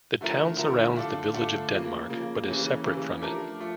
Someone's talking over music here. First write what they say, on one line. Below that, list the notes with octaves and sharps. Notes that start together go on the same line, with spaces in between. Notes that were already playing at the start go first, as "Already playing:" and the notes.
The town surrounds the village of Denmark but is separate from it.
D3 F3 A3 E4 A#4
D3 F3 A3 E4 A#4
D3 A3 D4 F4 A4
D3 A3 D4 F4 A4
C#3 F3 A#3
C#3 F3 A#3
C#3 E3 A#3 C#4 G4
C#3 E3 A#3 C#4 G4
F3 A3 D4 G4 A#4
F3 A3